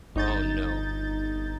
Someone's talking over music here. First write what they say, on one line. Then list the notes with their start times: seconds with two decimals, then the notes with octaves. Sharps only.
Oh, no.
0.15 G1 D#4 G6 A6